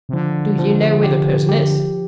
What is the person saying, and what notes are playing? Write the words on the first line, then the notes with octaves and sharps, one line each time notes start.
"Do you know where the person is?"
C3
D3 F3
F3
G4
G4